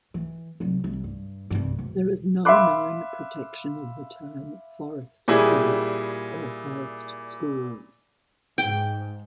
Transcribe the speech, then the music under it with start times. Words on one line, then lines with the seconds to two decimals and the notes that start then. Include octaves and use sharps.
There is no known protection of the term "forest school" or "forest schools".
0.14 E3
0.60 C2 F#3
0.84 C2
1.04 G2
1.50 C2 G2
1.79 E1
2.45 E5 F5 B5 C6 D6 F#6
5.28 A#2 G3 E4 G#4
8.58 G#2 G5